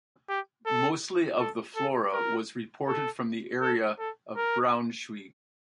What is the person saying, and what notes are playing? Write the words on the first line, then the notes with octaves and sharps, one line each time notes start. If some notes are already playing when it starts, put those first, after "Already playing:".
Mostly of the flora was reported from the area of Braunschweig.
G4
A4
A4
A4
A#4
A4
A4
A4
A#4